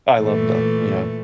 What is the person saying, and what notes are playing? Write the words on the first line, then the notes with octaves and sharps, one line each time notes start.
I love that, yeah.
A#2 E3 A3